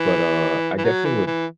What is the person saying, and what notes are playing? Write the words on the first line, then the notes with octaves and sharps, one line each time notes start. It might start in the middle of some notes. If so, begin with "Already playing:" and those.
but, uh, I definitely would
Already playing: E3
E3
F#3
E3
E3